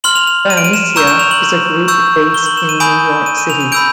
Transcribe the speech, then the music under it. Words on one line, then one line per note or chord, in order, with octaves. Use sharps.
Dionycia is a group based in New York City.
C6 F6 F#7
F7
F7
D#7
D7
D#7
E7
A#5 C#6 E6 G6 E7
E7
F7
F#7
C#6 E6 G6
G7
F#7
E7
D#7
G#5 B5 D#6 G6 D7
D#7
D#7
F7
D#7
B5 E6 G6 D7